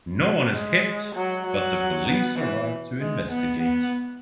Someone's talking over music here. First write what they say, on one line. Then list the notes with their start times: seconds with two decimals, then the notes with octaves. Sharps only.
No one is hit, but the police arrive to investigate.
0.22 F#3
0.53 G#3
1.15 F#3
1.46 F#3
2.08 B3
2.38 E3
3.00 G#3
3.31 B3
3.62 B3